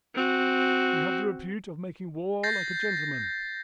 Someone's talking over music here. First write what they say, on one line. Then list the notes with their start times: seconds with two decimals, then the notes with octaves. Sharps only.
"You have the repute of making war like a gentleman."
0.15 C4 F#4
2.43 G6 A6 A#6 C7